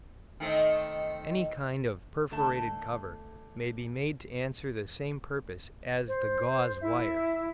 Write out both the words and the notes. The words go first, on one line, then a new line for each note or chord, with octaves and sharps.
Any kind of perforated cover may be made to answer the same purpose as the gauze wire.
D#3 A3 C4
D3 A3 A5
C5
E4 E5